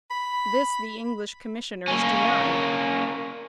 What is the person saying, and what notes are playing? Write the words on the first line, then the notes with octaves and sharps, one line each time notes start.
This the English Commissioners denied.
B5
A#3 C#4